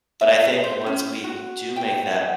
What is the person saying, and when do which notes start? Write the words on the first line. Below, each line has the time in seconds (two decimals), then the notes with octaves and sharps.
but I think once we do make that,
0.21 E5
0.64 C5
0.86 C#4
1.24 F#4
1.76 G5
2.07 F#5